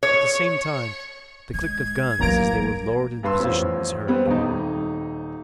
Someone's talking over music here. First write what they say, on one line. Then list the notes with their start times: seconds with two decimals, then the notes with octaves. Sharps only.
At the same time, the click of guns, as they were lowered into position, was heard.
0.03 C#5
1.54 G#3 G#6
2.19 A1 F#3 A#3 D#4 A#5 D7
3.23 G2 B4 C6 E6
3.39 A1 F2
4.07 G3 B3 C4 B4
4.26 D#1 D#4